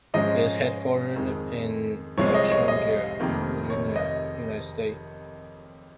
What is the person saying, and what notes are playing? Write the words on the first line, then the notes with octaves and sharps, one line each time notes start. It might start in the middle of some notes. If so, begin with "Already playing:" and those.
It is headquartered in Alexandria, Virginia, United States.
G#2 F3 G#3 C#4 D#5
F2 D#3 G#3
C2 C3 F3 G#3 C#5
C#5
D#5
C#5
D#5
F1 F2 C3 D#3 A#3
C#5
D#5